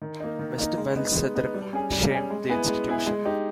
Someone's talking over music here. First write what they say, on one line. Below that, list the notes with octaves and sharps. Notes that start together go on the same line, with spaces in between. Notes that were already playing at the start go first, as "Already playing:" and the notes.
Westerwelle said the report "shamed" the institution.
D#3
A#3 D#4
D#3
A#3 D#4
G#3
B3 D#4
G#3
B3 D#4
G3
C#4 G#4
G3
C#4 G#4
G#3
B3 E4 G#4
G#3
B3 E4 G#4
G#3
D#4 G4